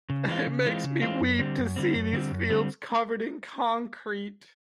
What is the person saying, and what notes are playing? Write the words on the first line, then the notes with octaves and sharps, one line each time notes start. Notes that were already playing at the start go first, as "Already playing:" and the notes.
It makes me weep to see these fields covered in concrete.
C#3
E3 G#3 C4 F4
C#3
E3 G#3 C4 F4
C#3
E3 G#3 C4 F4
F#2
D3 G3 C4
F#2
D3 G3 C4
F#2
D3 G3 C4
F#2
D3 G3 C4